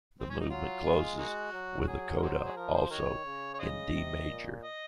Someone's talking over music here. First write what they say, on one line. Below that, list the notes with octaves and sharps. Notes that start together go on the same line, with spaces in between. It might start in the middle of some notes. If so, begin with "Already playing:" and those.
The movement closes with a coda, also in D major.
C4
C#4
D#4
F#3 F4
G#3
A#3 D#4 F#4
F#3
F#4
F#3 G#4
A#4
D#4 G#4 C5
G#4
F3 A#4
C5
D#3 F#4 A#4 C#5
C#3
C#5
G#4 C5 D#5
C3
A#2
D#5